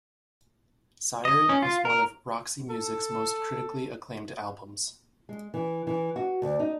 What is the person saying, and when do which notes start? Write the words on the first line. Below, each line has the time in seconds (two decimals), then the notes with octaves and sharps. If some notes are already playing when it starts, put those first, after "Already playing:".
"Siren" is one of Roxy Music's most critically acclaimed albums.
1.25 D#5
1.49 C#4
1.62 F4
1.85 A#4
2.70 A4
5.29 G#3
5.54 E3
5.87 E3
6.16 F#4
6.42 D2
6.59 D#4